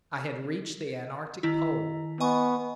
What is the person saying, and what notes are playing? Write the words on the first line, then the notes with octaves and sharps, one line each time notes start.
I had reached the antarctic pole.
D#3 E4
B3 D#5 G#5 C#6